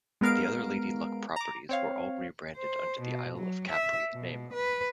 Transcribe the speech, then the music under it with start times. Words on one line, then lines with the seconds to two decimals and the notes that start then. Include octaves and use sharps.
The other Lady Luck properties were all rebranded under the Isle of Capri name.
0.21 G#3 B3 A#4 F5 D7
1.36 A#5 D6
1.69 C4 C#5 F5
2.57 C5
3.01 B2
3.38 F#3
3.69 E5
4.15 B2
4.53 B4